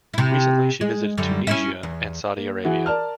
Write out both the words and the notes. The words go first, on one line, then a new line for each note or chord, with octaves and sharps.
Recently, she visited Tunisia and Saudi Arabia.
C3 E4
G#3
F#2 D3 G3
C#4 E4 E5
E2
A#3
E3 F#4 G#4
A#4 D5 A5 F6